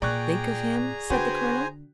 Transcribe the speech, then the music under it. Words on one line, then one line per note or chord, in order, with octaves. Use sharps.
"Think of him?" said the colonel.
A#2 G#4 D5 G5 A#5 C#6 F#6
D3 F#4 B4 C5 G5 G#5